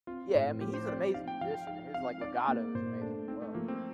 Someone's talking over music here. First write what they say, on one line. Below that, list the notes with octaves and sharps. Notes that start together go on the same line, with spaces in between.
Yeah, I mean, he's an amazing musician, his, like, legato is amazing as well. He's a
C4 F4
A2
F3 G4
C5
C4 D5
D#4 F5
G5
F3 F5
G5
D#4 F5
C4 F5
D#4 D5
A#3
A#2 C5
A3 D4
C4 D#4
A3
F3 A#3
C4